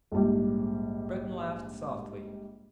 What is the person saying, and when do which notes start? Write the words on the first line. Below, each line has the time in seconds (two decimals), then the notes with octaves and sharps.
Breton laughed softly.
0.12 A#1 G#2 G3